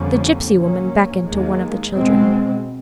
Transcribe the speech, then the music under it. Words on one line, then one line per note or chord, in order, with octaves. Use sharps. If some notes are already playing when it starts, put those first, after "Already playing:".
The gipsy woman beckoned to one of the children.
Already playing: F2 D3 G3 A#3 C#4
A#2 F#3 A#3 C#4
D#2 D#3 G#3
B2 G#3 C4